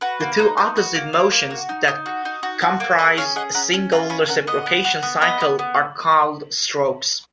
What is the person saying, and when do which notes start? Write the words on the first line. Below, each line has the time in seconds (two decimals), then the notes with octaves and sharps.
The two opposite motions that comprise a single reciprocation cycle are called strokes.
0.01 F#4 B4
0.20 A#3
0.39 D#4
0.57 D#4
0.77 F#4
0.95 A#3
1.13 A#3
1.31 A#3
1.50 F#4
1.69 D#4
1.88 D#4
2.06 F#4
2.25 D#4
2.43 F#4
2.62 F#4
2.80 A#3
2.99 G#4 B4 D#5
3.17 C#4 C#5 F5
3.36 G#4 D#5 F#5
3.54 C#4 F#5 A#5
3.73 C#4
3.92 F4 F#5 A#5
4.10 C#4 G#5 B5
4.29 C#4 F#5 A#5
4.47 B3 D#5 F#5
4.66 B3
4.84 F#4
5.03 B3
5.21 B3 B4 D#5
5.41 B3
5.59 B3